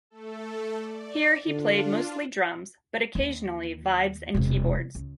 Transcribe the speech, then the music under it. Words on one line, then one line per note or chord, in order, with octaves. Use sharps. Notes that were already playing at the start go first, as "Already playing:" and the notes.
Here he played mostly drums, but occasionally vibes and keyboards.
A3 A4
D5
D3 D4 F4
D#2 D#3
E1 C3
C#2